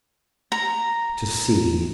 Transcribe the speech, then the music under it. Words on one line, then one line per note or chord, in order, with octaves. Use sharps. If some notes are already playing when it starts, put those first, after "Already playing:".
To see.
A#5